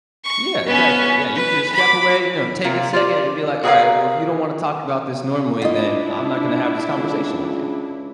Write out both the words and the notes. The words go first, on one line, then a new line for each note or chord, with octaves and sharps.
Yeah, exactly, yeah, you just step away, you know, take a second and be, like, "All right, well, if you don't wanna talk about this normally, then I'm not gonna have this conversation with you."
C#6
B3 C#4
B4
B5 D6
C3 A#3 F4 A#5
F4 G4 D5
F#4 G#4 A#4 B4 C#5 F5
D4 E4 F4 D#5
C#2